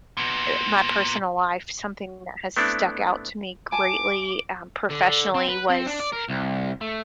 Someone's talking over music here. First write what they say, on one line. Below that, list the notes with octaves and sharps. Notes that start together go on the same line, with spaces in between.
uh, my personal life, something that has stuck out to me greatly, um, professionally was,
A#2 B3
A3 B3 C4 D4 E4
G#5 A5 D6
D3
C4
B4
C4
D4
D5
A#4
C2
A3